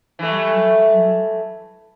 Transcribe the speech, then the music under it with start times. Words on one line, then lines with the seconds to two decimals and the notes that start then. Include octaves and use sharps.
Mm, mhm.
0.19 E3 A3